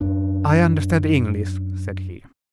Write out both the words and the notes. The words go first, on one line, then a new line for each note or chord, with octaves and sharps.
"I understand English," said he.
F#2 D4